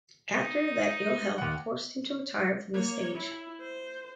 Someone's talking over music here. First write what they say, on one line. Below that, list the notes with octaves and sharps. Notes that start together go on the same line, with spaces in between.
After that ill health forced him to retire from the stage.
D#4
D#2 F#5
A#3 C#5
E4
C5